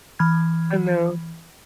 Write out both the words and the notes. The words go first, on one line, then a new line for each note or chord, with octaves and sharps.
I know.
E3 B5 F6 G#6